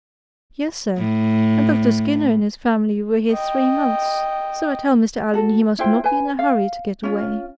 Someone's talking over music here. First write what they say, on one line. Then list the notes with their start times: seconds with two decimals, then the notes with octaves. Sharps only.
"Yes, sir--and Dr. Skinner and his family were here three months; so I tell Mr. Allen he must not be in a hurry to get away."
0.98 A2
3.32 D#5 G5
5.34 F#4 A4
5.79 E4 F4 C5 G5
6.04 B4 G#5
6.39 F5
7.03 C#4 F4